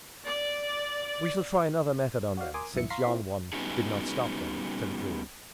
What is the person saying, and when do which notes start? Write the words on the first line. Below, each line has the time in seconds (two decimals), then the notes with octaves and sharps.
"We shall try another method on them, since yon one did not stop them," said the druid.
0.25 D5
2.37 F#4 D5 F5
2.54 A#4 G#5 C6 D6 D#6
2.74 C2 F#2 E3 E5 C#7
2.90 F5 A#5 C6 C#6 B6 C7
3.06 C4 E4 F4
3.53 G3 B3 C#4 D#4 F#4 G#4